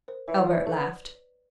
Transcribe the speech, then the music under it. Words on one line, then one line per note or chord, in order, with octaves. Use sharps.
Albert laughed.
A#4 C5
E3 B4 C#5
F3
C5 D5
E3
A3 B4 C#5
B3